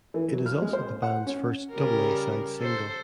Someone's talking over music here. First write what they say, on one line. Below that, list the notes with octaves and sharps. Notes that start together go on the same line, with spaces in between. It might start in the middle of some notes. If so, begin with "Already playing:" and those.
It is also the band's first double A-side single.
E3
F#3
F6
G#3
C5
F#5
C#4
C#3 G3 A#4
A4 C5